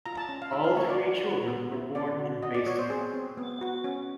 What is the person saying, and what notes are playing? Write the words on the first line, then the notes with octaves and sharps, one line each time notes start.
All three children were born in Basel.
F4 A#5
A5
C#4
F5
D#4 E5
F5
A#3 C#5
D5
F#4
F#4
B3
E4
C#4 D5
F#4
F#4 D#5
D5
B3 C#5
C5
C4 G#4
C4
B3
F#4
C#4